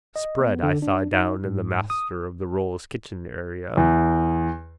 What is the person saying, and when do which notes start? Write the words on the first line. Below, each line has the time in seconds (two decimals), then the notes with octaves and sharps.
Spread I saw down in the Master of the Rolls' kitchen area.
0.16 D#5
0.40 B3
0.63 D3
0.82 D4
1.13 D#4
1.45 G#2
1.90 D#6
3.77 E2